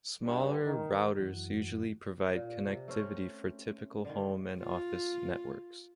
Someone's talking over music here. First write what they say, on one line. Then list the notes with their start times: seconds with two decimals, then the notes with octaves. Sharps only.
Smaller routers usually provide connectivity for typical home and office networks.
0.24 G2
0.66 D#3
1.20 F#2 E3 F#4
2.35 A#2
2.66 C3
2.88 A3 C4 C#4
4.05 D3 D#3
4.59 F4